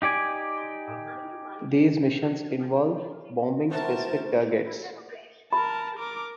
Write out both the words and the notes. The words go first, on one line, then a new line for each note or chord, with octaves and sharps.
These missions involve bombing specific targets.
D#4 G4 D5 G#5
A2 C3 F#4 A#4 C5 A5
A#4 A5 B5
A#4 D6